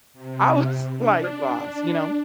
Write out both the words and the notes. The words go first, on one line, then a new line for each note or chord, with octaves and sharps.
I was, like, lip gloss, you know?
C3
D4